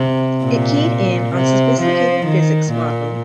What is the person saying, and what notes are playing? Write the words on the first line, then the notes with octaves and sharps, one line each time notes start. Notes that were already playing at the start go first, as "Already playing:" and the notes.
It keyed in on sophisticated physics modeling.
Already playing: C3
A#2
C3
F3
D#3
A#2